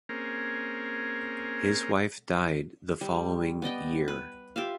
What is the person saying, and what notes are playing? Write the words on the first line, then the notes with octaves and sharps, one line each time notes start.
His wife died the following year.
A#3 C4 C#4 G#4 A#4
G3
B3 D5 D#5 G5
B4
F4 G4 E5 F5